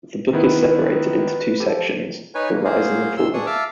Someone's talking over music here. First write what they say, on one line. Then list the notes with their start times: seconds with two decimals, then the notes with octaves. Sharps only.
The book is separated into two sections: the rise and the fall.
0.33 D#3 B3 E4 B4
1.60 F3 G4 A4
2.35 D#4 B4 C#5 G#5
2.52 A#3
2.65 F#3 A#3 G#4 C5 F5
3.17 D#2 G#2 C3 C6 E6
3.34 A#2 D4 G#4 C#6 D#6
3.46 E5 F5 A5 D6 E6 F6